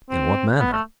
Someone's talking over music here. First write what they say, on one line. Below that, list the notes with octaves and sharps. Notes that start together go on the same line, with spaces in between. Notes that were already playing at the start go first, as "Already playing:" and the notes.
"In what manner?"
C4
B3
A3